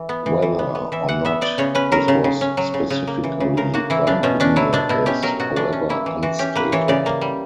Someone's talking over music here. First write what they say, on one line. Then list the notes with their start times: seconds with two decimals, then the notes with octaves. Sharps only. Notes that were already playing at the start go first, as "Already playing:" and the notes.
Whether or not this was specifically Gungnir is, however, unstated.
Already playing: E3
0.09 B3
0.26 E3
0.42 E3
0.59 B3
0.75 B3
0.92 E3 E5
1.08 E3 F#5
1.25 B3 E5
1.41 B3 D5
1.58 C#3 C#5
1.75 C#4 B4
1.92 F#3 A#4
2.08 C#3
2.24 C#3
2.41 C#4
2.57 F#3
2.74 C#3
2.90 C#3
3.07 A#3
3.23 E3
3.40 C#3
3.57 C#3 A#4
3.74 A#3 F#4
3.90 E3 E4
4.07 C#3 D4
4.23 B2 C#4
4.40 C#4 D4
4.56 F#3 E4
4.73 B2 D4
4.89 B2 E4
5.06 C#4 G4
5.23 F#3 A#4
5.39 B2 F#4
5.56 E3 D4
5.73 C#4
5.89 A#3 E4
6.06 E3
6.23 E3 F#4
6.39 C#4 G4
6.55 A#3 B4
6.72 E3 C#5
6.88 C#3 D5
7.06 A#3
7.21 G3